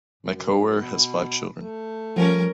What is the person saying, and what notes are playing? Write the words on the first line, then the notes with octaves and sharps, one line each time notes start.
Makoare has five children.
F#2
B2
A3
F3 G3 C#4 A#4